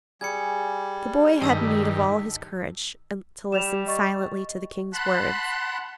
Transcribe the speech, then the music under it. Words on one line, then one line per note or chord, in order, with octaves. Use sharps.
The boy had need of all his courage to listen silently to the king's words.
G3 G#4 G#6 C#7
G2 D#3 A5 E6 B6
G3 E7 F7
D#5 C#6 A6
F#5 A5 B5 C6 F#6